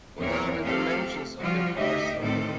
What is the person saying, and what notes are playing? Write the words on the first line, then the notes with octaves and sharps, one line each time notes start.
What are the dimensions of your parcel?
E2 A#2 E3 C4 A#4 C#5
F3 A3 C4 G4 A4 F5
F3 G3 F4 F#4
D2 D#4 G4 D#5 E5
D2 A2 C3 D#3 C4 A4